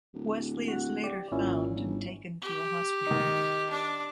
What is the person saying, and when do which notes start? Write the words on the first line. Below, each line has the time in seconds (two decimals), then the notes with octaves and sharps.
Wesley is later found and taken to a hospital.
0.14 D1
0.68 F#4 F#5
1.04 G4 D5
1.32 G#1 A#2 C#4 E4
1.75 G1
2.42 G4
3.07 D#3 D#4
3.70 D4 D6